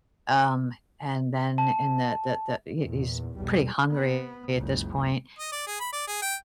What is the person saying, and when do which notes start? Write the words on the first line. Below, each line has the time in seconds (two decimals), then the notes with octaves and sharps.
um, and then in the the the he he's pretty hungry at this point,
1.58 A5
2.79 E2 A#2
3.35 B1 E2 G3
3.91 B3
4.54 F#1 C#2
5.39 D#5
5.52 D5
5.67 G#4
5.80 B5
5.93 D5
6.08 G#4
6.22 G5